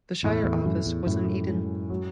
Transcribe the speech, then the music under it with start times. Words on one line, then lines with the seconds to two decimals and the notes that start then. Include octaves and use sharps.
The shire office was in Eden.
0.23 E2 A2
0.44 E2
0.65 F#2 E3
0.86 E2
1.06 F#2 A2
1.48 G#3
1.90 F#3